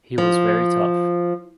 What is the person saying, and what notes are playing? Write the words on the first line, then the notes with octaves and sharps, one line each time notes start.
He was very tough.
F3